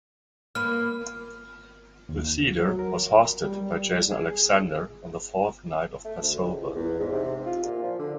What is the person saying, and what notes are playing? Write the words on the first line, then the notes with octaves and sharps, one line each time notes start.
The seder was hosted by Jason Alexander on the fourth night of Passover.
A#3 B4 F6
D#2
F#3
A#4
G3
G#4
A3
D2
C#2
C2
E2
G#2
C3
F4
A#2
F3
D3